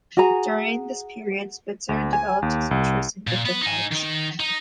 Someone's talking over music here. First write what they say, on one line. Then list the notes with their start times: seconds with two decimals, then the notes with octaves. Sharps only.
During this period Spitzer developed his interest in victims' rights.
0.17 F#4 G#4 G#5 A#5
1.89 D2
2.13 G#5
2.42 D#2
2.71 C2
3.27 A#2
3.46 B3
3.62 D#4 G#5
3.92 D#3 D#4
4.40 D#4